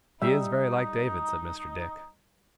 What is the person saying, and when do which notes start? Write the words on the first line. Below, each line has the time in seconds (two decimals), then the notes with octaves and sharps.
'He is very like David!' said Mr. Dick.
0.22 G3 D#4 E5